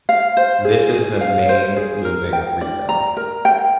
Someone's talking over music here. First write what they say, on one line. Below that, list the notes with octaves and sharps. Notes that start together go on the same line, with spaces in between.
This is the main losing reason.
F5
C5
G#4
G#4
F5
C5
G#4
A#4
G5
D5
A#5
A#4
G5